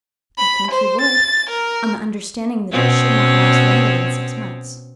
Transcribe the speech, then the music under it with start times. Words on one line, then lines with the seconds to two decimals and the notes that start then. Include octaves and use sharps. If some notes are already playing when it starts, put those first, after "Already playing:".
"I think he would--on the understanding that it should not last longer than six months."
0.38 B5
0.71 C5
1.01 A6
1.50 A#4
2.72 B2 C4 C#4